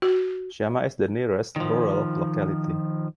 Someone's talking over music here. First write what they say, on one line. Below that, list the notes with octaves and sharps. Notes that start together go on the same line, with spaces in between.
Syama is the nearest rural locality.
F#4
D#3 F3